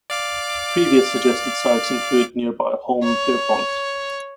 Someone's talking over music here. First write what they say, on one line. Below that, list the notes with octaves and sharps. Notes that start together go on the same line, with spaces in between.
Previous suggested sites included nearby Holme Pierrepont.
D5 F5 D6
C#5